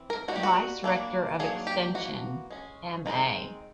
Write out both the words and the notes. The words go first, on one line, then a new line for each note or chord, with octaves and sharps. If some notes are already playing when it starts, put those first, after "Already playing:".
Vice rector of Extension: Ma.
Already playing: E3 C4
A#4
G3 A#3 D#4 F#4
G4
F#4
G3 A#3 D4
D#3 F#3 A#3 D4 G#4
G4
E3 G3 A#3 F#4
G#3 C#4
D#3 G#3 C4 D#4